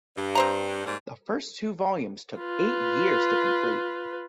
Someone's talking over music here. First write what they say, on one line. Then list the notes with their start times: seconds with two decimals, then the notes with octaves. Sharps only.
The first two volumes took eight years to complete.
0.16 G2
0.35 C4 C5 A#5
0.86 G#2 G3 A#3
2.39 F4 B4